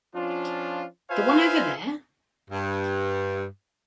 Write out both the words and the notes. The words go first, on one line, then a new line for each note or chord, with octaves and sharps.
The One Over There?!
F3 C#4 D4 F4
F4 B4 C5 E5 F5 G#5
G2